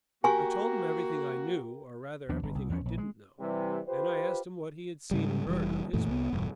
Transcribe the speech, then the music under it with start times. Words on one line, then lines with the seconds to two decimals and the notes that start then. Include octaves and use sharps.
I told him everything I knew--or, rather, everything I didn't know-- and I asked him what he had seen or heard on his part.
0.24 A#3 F#4 G4 A#4 G#5 C#6
2.29 D#2 F3 B3 D4
2.43 G1
2.55 C2
2.70 E2 F3 C#4
2.85 A#1
2.98 G#3
3.39 C3 E3 G3
3.86 F4 G4 B4 C5
5.11 G#2 C#3 G3
5.46 F1 E3 G3
5.93 F#2 A#2 E3 A3
6.08 C2 B3
6.33 E1 G2